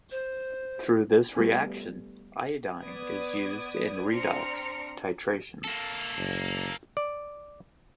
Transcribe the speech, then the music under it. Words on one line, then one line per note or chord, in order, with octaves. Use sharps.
Through this reaction, iodine is used in redox titrations.
C5
G3 A3 B3 G#5
B3 D5 D#6 G#6
C4 D4 A#5 C6 F6 C#7
A#3 A4
F#1
D5